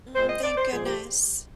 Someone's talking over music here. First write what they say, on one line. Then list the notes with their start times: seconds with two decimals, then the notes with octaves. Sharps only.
Mm, thank goodness.
0.15 A#2 G#3 C4 C5
0.29 D#5
0.43 D5
0.57 C5
0.72 A#2 F3 G#3 C4 G#4
0.85 G4